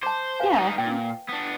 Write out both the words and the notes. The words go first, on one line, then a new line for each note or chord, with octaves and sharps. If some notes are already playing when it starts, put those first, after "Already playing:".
Yeah, y
C5 A5 D6
B4 F5 G#5
G3 D#4
A#2 G5
B3 D4